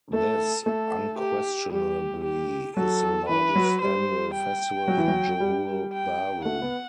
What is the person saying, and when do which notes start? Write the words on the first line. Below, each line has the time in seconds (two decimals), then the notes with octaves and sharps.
This unquestionably is the largest annual festival in Johor Bahru.
0.13 A3 A4
0.66 A3 A4
1.18 G4
1.71 G3 G4
2.24 G4
2.77 F#3 A4
3.29 E3 B4
3.56 F#3
3.82 G3 C5
4.35 G5
4.88 F#3
4.97 E3
5.08 F#3
5.40 G3
5.93 G5
6.45 A3 F#5
6.62 B3